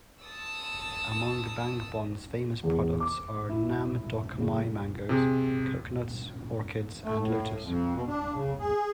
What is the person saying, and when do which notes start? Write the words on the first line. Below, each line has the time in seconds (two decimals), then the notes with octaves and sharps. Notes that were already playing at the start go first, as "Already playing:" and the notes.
Among Bang Bon's famous products are Nam Doc Mai mangos, coconuts, orchids, and lotus.
0.25 A5 D#6 E6
2.63 E2
3.00 D6
3.49 E4
4.38 F#1
5.09 C3 G#4
7.04 A3
7.19 A2
7.63 F2
7.94 B2
8.08 D4
8.34 C#3
8.59 G#4